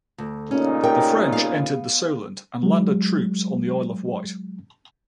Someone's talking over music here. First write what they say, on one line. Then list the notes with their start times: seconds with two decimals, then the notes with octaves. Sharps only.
The French entered the Solent and landed troops on the Isle of Wight.
0.18 D2
0.51 A#2 C#3 C#4 D#4
0.83 G4 A#4 G5
1.32 B3 F5
2.63 F#3 G#3